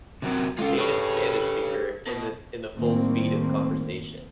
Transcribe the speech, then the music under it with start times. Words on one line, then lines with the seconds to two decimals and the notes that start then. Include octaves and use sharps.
native Spanish speaker in these in the full speed of conversation.
0.22 C3 F#3 C4 A#4
0.59 G#3 C4 C#4 F4 A4
0.78 G4 G#4 B4 C#5
2.07 B2
2.76 A2 D#3 G3 A3 A#3 C4